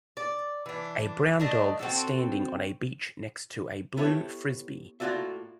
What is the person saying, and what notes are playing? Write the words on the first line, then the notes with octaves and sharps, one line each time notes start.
A brown dog standing on a beach next to a blue Frisbee.
D5
E3 D4
A3 D4 D#5
C4 F#4 A4
B3 E4 G4 A4 C#5
A2 A#3 F4 F#4 D5 E5